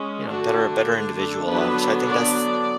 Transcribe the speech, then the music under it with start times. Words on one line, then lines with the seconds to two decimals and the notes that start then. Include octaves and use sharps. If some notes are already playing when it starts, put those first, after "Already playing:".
you know, better better individual, um, so I think that's
Already playing: G#3 C#4
0.29 D3 A3 D4 F#4
1.19 A4
1.48 D3 F#3 B3 D4 B4
2.07 D5